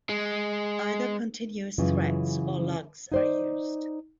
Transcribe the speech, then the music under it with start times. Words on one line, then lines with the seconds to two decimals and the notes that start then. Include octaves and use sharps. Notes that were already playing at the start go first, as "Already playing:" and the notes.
Either continuous threads or lugs are used.
0.09 G#3
1.78 F#2 C#3 E3 F4
3.12 D#4 C5 D5